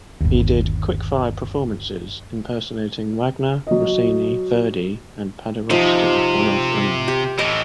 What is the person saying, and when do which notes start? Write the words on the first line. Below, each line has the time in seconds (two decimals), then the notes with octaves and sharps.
He did quick-fire performances, impersonating Wagner, Rossini, Verdi and Paderewski one after another.
0.21 G1 D#2
3.67 F#3 D#5
5.70 C3 F3 D#4
7.08 G4
7.39 A2 E3 D#5